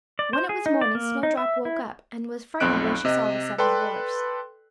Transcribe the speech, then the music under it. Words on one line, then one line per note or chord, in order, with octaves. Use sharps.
When it was morning, Snowdrop woke up, and was frightened when she saw the seven dwarfs.
D5
C5
G#4
D#4
D5
A#3
D#4
E5
E4
B1 F2 F3 C4 F#6 D7
C3 D#5
A4 B4 D5 G5 C6